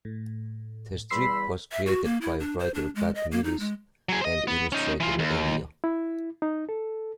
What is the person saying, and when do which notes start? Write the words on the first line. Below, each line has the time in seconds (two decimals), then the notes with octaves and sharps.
The strip was created by writer Pat Mills and illustrator Enio.
0.05 A2
1.10 E2 G3 B5 C6 E6 C7
1.72 E5
1.86 F#4
2.05 A#3
2.22 E4
2.40 D4
2.59 C5
2.74 D4
2.95 G#3
3.15 D#5
3.32 A#3
3.44 D#4
3.60 G#3
4.09 F#3 G#4
4.21 C5 D#5
4.48 B3
4.72 C#4 D#4
5.00 E3 F4
5.19 D#2
5.84 E4
6.42 D#4
6.69 A4